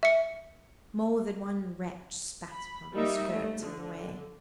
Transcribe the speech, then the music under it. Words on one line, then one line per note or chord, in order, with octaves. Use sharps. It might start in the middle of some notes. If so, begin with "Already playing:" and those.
More than one wretch spat upon her skirts on the way.
E5 C#7
B5
G3 A#3 D#4 E5
A3
D3